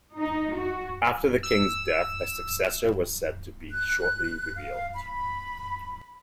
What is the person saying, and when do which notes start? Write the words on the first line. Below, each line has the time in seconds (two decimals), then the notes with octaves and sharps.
After the king's death, a successor was said to be shortly revealed.
0.17 D#4
0.55 F#4
1.43 E6
3.70 F#6
4.54 F5
4.94 B5